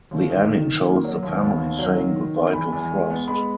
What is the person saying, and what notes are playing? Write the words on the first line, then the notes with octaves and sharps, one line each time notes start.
The ending shows the family saying goodbye to Frost.
D#2
D#3
D#3
D#3
A#3
F#3
D#2
B3
D#2
F#3
D#3
D#3
B3
E2 B5
E2
G#3
B3
G#3 B5